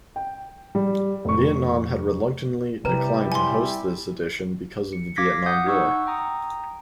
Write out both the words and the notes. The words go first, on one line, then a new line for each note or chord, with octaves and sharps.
Vietnam had reluctantly declined to host this edition because of the Vietnam War.
G5
G3
F1 C#6
C3 G3 E4 B4 A#5
G#5 C6
C#7
F5 D6 G#6 A#6 B6
F#5 D#6 G6
D#4 F#5 C#6 E6
G5 A#5 D#6